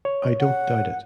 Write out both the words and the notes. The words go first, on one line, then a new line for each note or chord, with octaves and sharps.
I don’t doubt it.
C#5
F#5